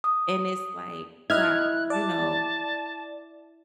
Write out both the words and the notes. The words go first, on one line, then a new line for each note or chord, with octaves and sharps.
and it's like, "Wow," you know,
D#6
E4 D#5 F6 F#6 G#6
D5 A5